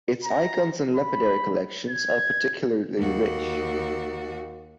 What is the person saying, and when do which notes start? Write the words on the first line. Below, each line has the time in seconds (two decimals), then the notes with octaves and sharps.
Its icons and lapidary collections are particularly rich.
0.25 A#5
0.95 B5
1.89 G#6
2.97 D#2 F#4